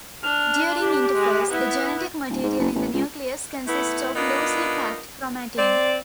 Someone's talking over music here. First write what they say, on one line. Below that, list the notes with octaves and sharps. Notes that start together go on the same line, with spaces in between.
During interphase, the genetic material in the nucleus consists of loosely packed chromatin.
D4 F6
G4
G#3
B3 E4
D1
G#2
F#1
A1
C#2
A3 B3 E4
B3 D4 D#4 F4 A#4
C4 D5